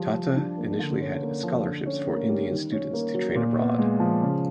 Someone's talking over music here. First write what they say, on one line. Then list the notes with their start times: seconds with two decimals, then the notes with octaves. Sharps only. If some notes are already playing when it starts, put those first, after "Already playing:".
Tata initially had scholarships for Indian students to train abroad.
Already playing: F3 G3
0.15 F3
0.37 D4
0.57 A#3
0.79 D3
1.01 C#4
1.22 A#3
1.43 F3
1.65 D3
1.85 C#4
2.07 A#3
2.29 G3
2.51 D#3
2.72 C#4
2.93 A#3
3.14 F#3
3.35 A#2
3.58 B3
3.78 G#3
4.00 F3
4.22 C#3